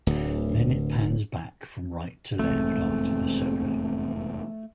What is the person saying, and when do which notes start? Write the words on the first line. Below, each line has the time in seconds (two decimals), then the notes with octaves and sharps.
Then it pans back from right to left after the solo.
0.07 D1 D2
2.39 F1 E2 G#2 A3 C4